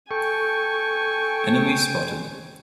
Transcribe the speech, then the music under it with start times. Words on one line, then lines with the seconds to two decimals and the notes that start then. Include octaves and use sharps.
Enemy spotted!
0.11 A4 G5 G#5 C#6